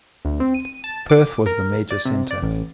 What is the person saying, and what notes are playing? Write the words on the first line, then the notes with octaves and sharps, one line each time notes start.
Perth was the major centre.
D2
C4
D#7
A5
D6
A#4
D5
C3
D5
A1